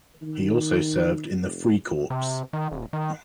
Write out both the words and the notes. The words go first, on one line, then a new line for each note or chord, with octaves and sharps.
He also served in the "Freikorps".
D#3
F1
C3
D#3
D#1
D#3